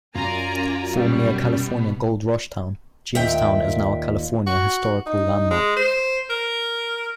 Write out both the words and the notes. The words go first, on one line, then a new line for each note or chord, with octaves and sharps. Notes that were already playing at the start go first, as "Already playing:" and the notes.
Formerly a California Gold Rush town, Jamestown is now a California Historical Landmark.
F#2 F4 D5 G#5 A#5
B2 G3
D#2 A#2 E5 G5
F#4
D#4
G#3
C5
A#4